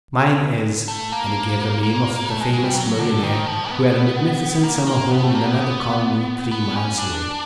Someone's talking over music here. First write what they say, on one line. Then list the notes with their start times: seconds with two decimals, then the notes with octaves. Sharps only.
"Mine is ----," and he gave the name of the famous millionaire who had a magnificent summer home in another colony, three miles away.
0.88 A3
1.12 A#3
1.83 A#3
2.30 A3
2.40 G#3
2.53 G#3
2.64 G3
2.76 F#3
2.99 D3
3.23 D#3
3.47 F3
3.70 B3
4.64 A#3
4.87 A#3
5.11 B3
5.23 A3
5.35 A#3
5.46 B3
5.53 A#3
5.60 B3
6.51 B3
6.76 C#4
6.98 D4